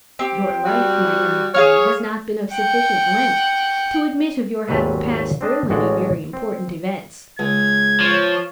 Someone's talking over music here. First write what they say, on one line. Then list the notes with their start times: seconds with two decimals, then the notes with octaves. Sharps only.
"Your life, my young friend, has not been of sufficient length to admit of your having passed through any very important events."
0.19 C4 G4
0.66 G3 F#4
1.54 G#4 C#5 F5 F6
2.51 F#5 G5
4.68 G#1 D#2 A#2 F#3 B4 E5
5.41 C4 D4 D#5 A5
5.70 A1 A2 G#3 F#4 D5
6.33 C4
7.39 C#2 G#6
8.00 F3 F4 C#5